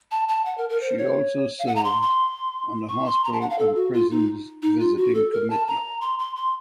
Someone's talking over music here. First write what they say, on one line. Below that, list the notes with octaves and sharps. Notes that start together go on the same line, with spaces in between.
She also served on the Hospital and Prisons Visiting Committee.
A5
A5
F#5
A#4
A#4
C5
C#5
F5
F#5
A#5
C6
C6
C#6
C6
A#5
A5
F#5
F5
A4
F#4
F4
D#4
D#4
F4
F#4
A4
A#4
A5
A#5
C6
C6
C6